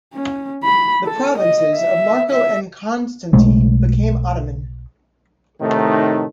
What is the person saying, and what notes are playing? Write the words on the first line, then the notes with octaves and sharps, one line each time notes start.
The provinces of Marko and Konstantin became Ottoman.
C#4
B5
A4
D#5
E5
E5
B1 B2 G#3 A3
A2 C3 D#3 A3 D#4